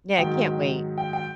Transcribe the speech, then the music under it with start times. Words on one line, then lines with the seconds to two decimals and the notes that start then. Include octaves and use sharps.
Yeah, I can't wait.
0.18 G#2 D#3 F#3 G5
0.98 G5
1.13 G5